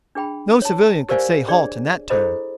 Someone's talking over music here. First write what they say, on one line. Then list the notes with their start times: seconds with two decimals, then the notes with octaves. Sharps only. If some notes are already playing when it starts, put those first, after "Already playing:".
No civilian could say halt in that tone.
0.15 D4 G#4 G5 B5
0.62 C#5 A5
1.09 G4 A#4 C5 D5 F5 G#5
1.48 D4 G#4 C#5 D5
2.10 E4 G#4 A4 C5 D#5 B5